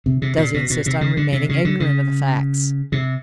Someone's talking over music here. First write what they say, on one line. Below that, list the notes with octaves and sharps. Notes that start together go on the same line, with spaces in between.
Does he insist on remaining ignorant of the facts?
C3
C3
A#2
B2
B2
C3
C#3
D3
C3
C#3
D3
C#3
C3